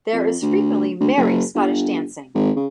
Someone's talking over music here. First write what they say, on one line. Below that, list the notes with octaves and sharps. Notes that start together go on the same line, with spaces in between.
There is frequently merry Scottish dancing.
F2
D2
D2
F#1
G1
G#1
C#3